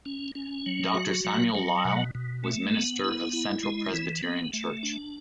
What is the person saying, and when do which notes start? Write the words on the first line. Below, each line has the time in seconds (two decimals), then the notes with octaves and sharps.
Doctor Samuel Lyle, was minister of Central Presbyterian Church.
0.06 C#4
0.35 C#4
0.66 F#3
0.95 F#4
1.25 F#3
1.55 F#3
1.85 B2
2.15 B2
2.44 A3
2.74 B3
3.04 E4
3.33 E4
3.63 G#3
3.94 E3
4.23 B3
4.53 A3
4.83 D4